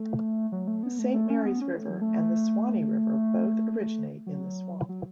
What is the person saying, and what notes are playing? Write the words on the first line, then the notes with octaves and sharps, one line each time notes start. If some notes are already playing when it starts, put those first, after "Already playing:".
The Saint Marys River and the Suwannee River both originate in the swamp.
Already playing: A3
F#3
A3
B3
A3
A3
C#4
B3
C#4
A3
F#3
A3
F#3
F#3